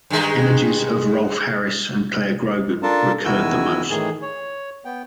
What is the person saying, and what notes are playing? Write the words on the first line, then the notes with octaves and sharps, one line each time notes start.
Images of Rolf Harris and Clare Grogan recurred the most.
G2 D#3 G#3
D4 F4 A4 A#4 A5
E2 D#3 E4 F#4 G#5 E6
A2 D#3 E3 G#4
C#5
B3 G5